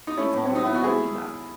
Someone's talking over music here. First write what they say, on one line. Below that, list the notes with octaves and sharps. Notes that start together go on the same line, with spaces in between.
It's on Peacock,
D#4
A3 C#4 E4
A2
C#4
F#3 D#4
B2 E4
F#4
G#3 E4 G#4
G#3